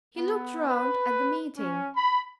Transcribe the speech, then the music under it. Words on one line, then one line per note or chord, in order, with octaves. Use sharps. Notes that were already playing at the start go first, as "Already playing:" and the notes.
He looked round at the meeting.
B3
B4
C#4
B5